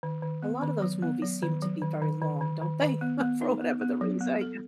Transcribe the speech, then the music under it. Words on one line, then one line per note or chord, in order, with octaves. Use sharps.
a lotta those movies seem to be very long, don't they? For whatever the reason, I guess.
D#3
D#3
B3
D#3
F#3
B3
F#3
D#3
F#3
D#3
D#3
D#3
D#3
D#3
D#3
B3
B3
D#4
B3
B3
F#3
B3
A4